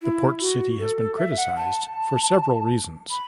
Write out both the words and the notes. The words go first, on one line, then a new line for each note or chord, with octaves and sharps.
The port city has been criticised for several reasons.
E4
F#4
A4
A4
E5
F#5
A5
B5